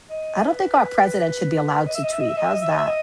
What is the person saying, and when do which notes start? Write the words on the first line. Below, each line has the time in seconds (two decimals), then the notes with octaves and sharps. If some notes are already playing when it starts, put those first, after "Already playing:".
I don't think our president should be allowed to tweet. How's that?
0.10 D#5
0.45 B4
1.86 D#5
1.94 E5
2.03 D#5
2.11 E5
2.20 D#5
2.27 E5
2.36 D#5
2.45 E5
2.53 D#5
2.61 E5
2.70 D#5
2.77 E5
2.86 D#5